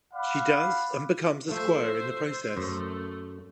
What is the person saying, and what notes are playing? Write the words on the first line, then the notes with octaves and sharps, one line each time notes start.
She does and becomes a squire in the process.
D5 F5 F#5 B5
F3 A3 C5 E5
F#2 A3 C5